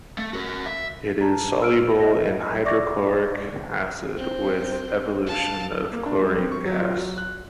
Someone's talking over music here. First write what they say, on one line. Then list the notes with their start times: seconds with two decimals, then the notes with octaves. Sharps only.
It is soluble in hydrochloric acid with evolution of chlorine gas.
0.18 A3
0.33 F#4 A#4
0.66 E5
1.21 A5 A#5
1.62 E6 F6 D7
2.00 D#5 E5 A#6
2.65 D5 E5 C#6 D6 A#6
4.17 C4 C5
5.26 F5 A5
5.93 A#3
6.06 D4
6.22 G3
6.37 C4
6.52 C#6
6.66 F#3
6.79 F4
6.97 F#3
7.18 F#6